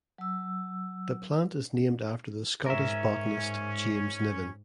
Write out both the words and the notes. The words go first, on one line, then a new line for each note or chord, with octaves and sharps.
The plant is named after the Scottish botanist James Niven.
F#3 E6
G#2 C#4 A#4 E5